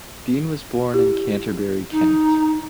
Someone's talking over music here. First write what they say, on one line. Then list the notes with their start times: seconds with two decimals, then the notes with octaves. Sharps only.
Dean was born in Canterbury, Kent.
0.94 E4 G4
1.91 D#4